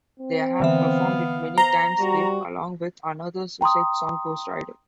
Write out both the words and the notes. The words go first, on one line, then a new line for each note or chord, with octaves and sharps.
They have performed it many times live, along with another Suicide song, "Ghost Rider".
C4
D3 E3 B3 E5 F5
C5 A#5
G3 F#4
G5 A#5 C6 D#6